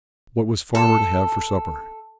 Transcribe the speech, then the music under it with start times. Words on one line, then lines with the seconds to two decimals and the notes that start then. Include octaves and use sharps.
What was farmer to have for supper?'
0.75 A4